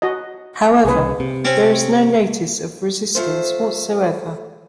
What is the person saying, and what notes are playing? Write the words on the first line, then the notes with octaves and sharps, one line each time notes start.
However, there is no notice of resistance whatsoever.
F#4 D#5
C2 C#3 G#4 B4
C3
C4 C#4
F3 A3 C5